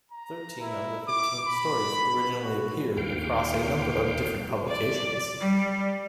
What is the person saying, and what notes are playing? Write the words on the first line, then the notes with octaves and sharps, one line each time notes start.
Thirteen of the fifteen stories originally appeared across a number of different publications.
A#5
E4
D6
B5
F#4
D#2 F5 G5
D5
G3